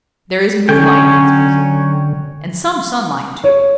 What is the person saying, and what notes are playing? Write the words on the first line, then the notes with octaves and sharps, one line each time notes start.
There is moonlight in this music, and some sunlight, too.
D3 F#3 C#4 C#5 G5
C#5